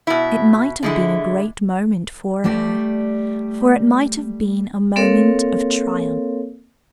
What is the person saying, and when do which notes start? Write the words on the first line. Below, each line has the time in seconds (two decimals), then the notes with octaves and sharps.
It might have been a great moment for her, for it might have been a moment of triumph.
0.07 B2 E4
0.83 D3 G#3 E4
2.44 G3 A3 G4 D5
4.96 A#3 C4 A4 A#4 C#5 F5